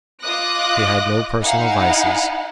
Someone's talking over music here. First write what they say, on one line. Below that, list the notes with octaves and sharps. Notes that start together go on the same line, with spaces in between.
He had no personal vices.
F4 D#5 D6 D#6 F#6 A#6
D#4 E4 F5 F#5 G#5